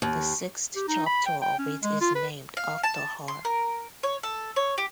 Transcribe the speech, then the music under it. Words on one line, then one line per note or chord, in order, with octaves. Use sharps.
The sixth chapter of it is named after her.
D#2
G4
D#4
B5
G5
G5
C#4
G#3
F4
B4
F5
A5
C6
A#4
C#5
A4
C#5
G4